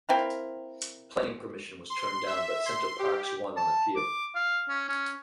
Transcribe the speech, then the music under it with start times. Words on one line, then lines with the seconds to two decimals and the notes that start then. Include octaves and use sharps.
Planning permission was turned down but Center Parcs won on appeal.
0.09 A#3 C4 E4 A#4
1.90 C6
2.27 E5
2.65 C6
2.99 G4
3.57 A5
3.96 D6
4.35 F5
4.69 C#4
4.89 C#4